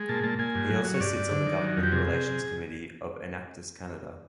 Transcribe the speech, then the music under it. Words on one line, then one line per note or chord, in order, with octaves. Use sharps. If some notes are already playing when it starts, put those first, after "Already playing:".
He also sits on the government relations committee of Enactus Canada.
Already playing: G#3
A#2 A5
A#2 A5
A#2 G#5
G2
F#3
F#3
C#5
G2 D5
G2
D3
D#3
F#3
F2
G4
C3 G#4
C3